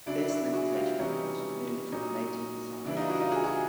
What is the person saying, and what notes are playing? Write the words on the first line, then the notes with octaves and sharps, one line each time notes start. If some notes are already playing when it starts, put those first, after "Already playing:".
This limitation was removed from later designs.
C#3 F#3 D4 E4
E4 F#4
F#4 G#4
F4 G4
C3 E3 G3 C#4 D#4
A#2 F#3 C#4 D#4
C#3 E3 G3 D4 E4
D#4 F4
E4 F#4
D#4 F4
F#4 G#4
F#4 G#4